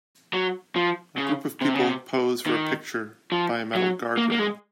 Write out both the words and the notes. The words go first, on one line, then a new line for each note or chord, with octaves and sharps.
A group of people pose for a picture by a metal guard rail.
F#3
F3
C#3
C3
C#3
C3
D#3
F3
F#3
A#3
A#3
G#3